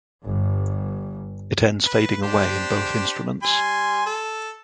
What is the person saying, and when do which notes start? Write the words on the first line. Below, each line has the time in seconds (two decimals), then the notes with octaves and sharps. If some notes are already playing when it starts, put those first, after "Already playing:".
It ends fading away in both instruments.
0.24 G1 G2
1.86 B4
2.23 D4 G4 C5
3.43 G3 G#5 C6
4.06 A4